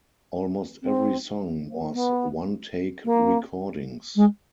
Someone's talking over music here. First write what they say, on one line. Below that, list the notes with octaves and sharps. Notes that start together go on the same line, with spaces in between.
Almost every song was one-take recordings.
C4
B3
A#3
G#3